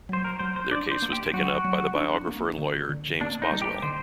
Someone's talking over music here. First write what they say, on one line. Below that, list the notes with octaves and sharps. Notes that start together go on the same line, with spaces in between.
Their case was taken up by the biographer and lawyer, James Boswell.
F#3 C5
A#4
F#3 C5
C5
D4 D5
C5
A#3
G4
F#3 F#4
F#3
D4
A#3
D3
D3
A#3 D4
D#4
G3
G4
D3 C5